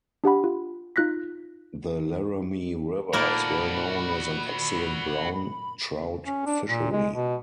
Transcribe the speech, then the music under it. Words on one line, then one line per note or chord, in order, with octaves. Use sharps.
The Laramie River is well known as an excellent brown trout fishery.
D4 G4 F#5 B5
F4
D#4 F4 F#6 A#6 B6
A#2 A#3 D#4 F#4 A4 A#4 D5 B5
C#4
D4
A#2
G#3
B2